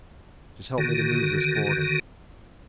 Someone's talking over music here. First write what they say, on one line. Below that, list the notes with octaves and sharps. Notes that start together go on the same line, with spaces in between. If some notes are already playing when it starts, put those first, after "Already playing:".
"Just help me to move this boarding."
D3 D#3 F#4